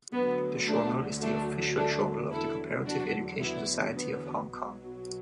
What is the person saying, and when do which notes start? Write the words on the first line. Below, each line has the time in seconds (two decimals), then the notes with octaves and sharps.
The journal is the official journal of the Comparative Education Society of Hong Kong.
0.13 D2 D3 F#3 B3
0.67 A3 D4
1.22 A3 D4
1.76 A3 D4
2.31 E2 D3 F#3 E4 A4
2.86 D4 F#4
3.40 B3 E4
3.96 B3
4.49 B1 B2 F#3